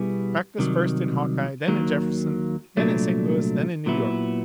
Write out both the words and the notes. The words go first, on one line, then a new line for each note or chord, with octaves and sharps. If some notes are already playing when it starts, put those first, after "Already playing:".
Practice first in Hawkeye, then in Jefferson, then in St. Louis, then in New York!
Already playing: B2 G3 B3 E4 G#4
C2 C3 D#3 F#3
D#2 D#3 F#3 A#3
C2 A#2 F#3 A3 D4
A#2 F#3 B3 E4